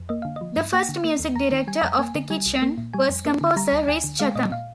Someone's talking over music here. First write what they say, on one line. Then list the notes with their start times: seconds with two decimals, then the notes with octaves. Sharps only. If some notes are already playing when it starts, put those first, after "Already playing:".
The first music director of The Kitchen was composer Rhys Chatham.
Already playing: F2
0.09 A#3 D#5
0.22 D3 F5
0.36 F3 D#5
0.57 G2
0.73 A#3 G5
0.89 D3
1.04 A#3
1.19 D#2
1.36 D#2 A#5
1.52 D#3
1.67 G3 G#5
1.83 F2 A#5
1.99 A#3 G#5
2.15 D3
2.30 G3 G#5
2.46 C2
2.62 A#3
2.78 A#2
2.94 G3 G#5
3.09 F2
3.25 A#3
3.41 D3
3.56 G3 A#5
3.72 D2
3.88 D2 G#5
4.04 D3
4.20 G#3 F5
4.35 A#2 D#5
4.51 A#2 F5